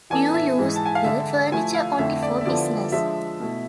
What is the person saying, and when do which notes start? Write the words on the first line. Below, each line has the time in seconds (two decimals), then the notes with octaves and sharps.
You use the furniture only for business.
0.10 E3 B3 D4 A4 G#5
0.34 E5
0.58 G#2 E3 G#3
0.76 A5
0.86 G#5
0.95 F5
1.04 D3 G#3 D4 G#4 E5
1.52 F3 A3 E4 A4 G#5
1.75 F5
1.99 F2 D3 A3 E4 E5
2.23 D5
2.41 E5
2.45 D3 F3 B3 E4 A4 D5
2.92 F3 G#3 D4 E5
3.40 B2 A3 E4 A4